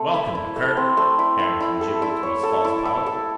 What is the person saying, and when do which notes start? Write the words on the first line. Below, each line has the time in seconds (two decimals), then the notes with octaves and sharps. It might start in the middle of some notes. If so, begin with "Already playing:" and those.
"Welcome, Gurgurk," Harrington gibbered through his false palate.
Already playing: A3 C4
0.14 E4
0.35 E4
0.56 A3
0.77 C4
0.97 A3
1.19 E4
1.39 E4
1.60 E4
1.81 A4
2.02 E4
2.23 C#5
2.43 A4
2.65 E4
2.85 E4
3.06 A4